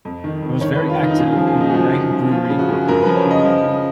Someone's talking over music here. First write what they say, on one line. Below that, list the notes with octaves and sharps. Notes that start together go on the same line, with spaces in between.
He was very active in the United Brewery Worker Union.
F2
D#3
F2
D#3 C#5
B4
F2
F4
D#3 D#4
D#4
F#2 F4
F3 G#4
G#4
F#2
D#4
F#4
F3 F4
F#2
F3
F3 F4
C#3 F4
F#4
F#2
F#2 A#4
F3 B4
C#5
C#3
D#5
F3
C#3